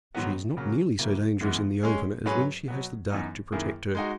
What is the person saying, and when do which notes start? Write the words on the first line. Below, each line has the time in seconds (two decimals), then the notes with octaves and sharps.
She is not nearly so dangerous in the open as when she has the dark to protect her.
0.15 G#2 D#3 F#3 B3
0.57 C#3 F#3 A#3
0.99 C#3 F#3 A#3 E4
1.41 F#2 E3 G#3 B3
1.83 G#3 C#4 G#4
2.25 G#2 F#3 C#4 G#4 B4
2.68 B2 F#3 B3
3.10 F#2 E3 B3 D#4
3.52 F#2 D#3 A#3 E4 G#4
3.95 G#3 D#4 F#4